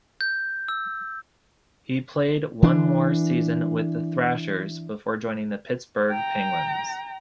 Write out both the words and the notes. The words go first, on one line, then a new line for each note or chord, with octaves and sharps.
He played one more season with the Thrashers before joining the Pittsburgh Penguins.
G6
E6
E3 D4
G5 A#5